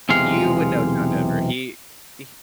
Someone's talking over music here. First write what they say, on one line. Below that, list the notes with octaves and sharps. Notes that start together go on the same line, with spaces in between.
You would know John Denver. He h
B1 E2 C3 G#3 F5